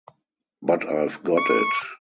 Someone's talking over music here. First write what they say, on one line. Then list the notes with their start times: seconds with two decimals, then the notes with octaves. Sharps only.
But I've got it!
1.37 C#6